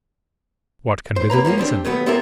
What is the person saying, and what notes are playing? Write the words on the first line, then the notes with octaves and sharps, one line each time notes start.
What can be the reason?
C5
F#2 A#3 B4 A#5
F#2 F3 A#3 C#4
B3 C4 D4 G4
D#2 F#3 A3 B3
B3 C4 E4 G4 A4 A#4